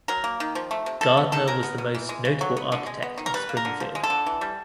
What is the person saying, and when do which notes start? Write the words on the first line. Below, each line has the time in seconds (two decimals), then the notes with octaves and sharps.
Gardner was the most notable architect of Springfield.
0.08 F#3 A#4
0.24 A#3
0.40 D#3
0.55 F3
0.71 A3
0.86 C3
1.01 G3 A4
1.17 B3
1.32 D#3 A4
1.48 G#3 A#4
1.63 B3
1.78 B2
1.95 E3
2.09 G#3
2.25 C#3
2.41 F#3
2.57 B3
2.72 D3
2.86 G#3
3.02 B3
3.18 D#3
3.26 A#4
3.34 G3 B4
3.49 A#3
3.57 A#4
3.65 D3
3.80 F3
3.95 G#3
4.03 A4
4.10 D3
4.26 E3
4.41 G3